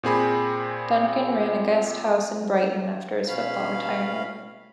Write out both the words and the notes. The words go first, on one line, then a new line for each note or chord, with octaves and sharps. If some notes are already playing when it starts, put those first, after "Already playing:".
Duncan ran a guest house in Brighton after his football retirement.
A#2 C4 G#4 B5
B2 C#4 F5 B5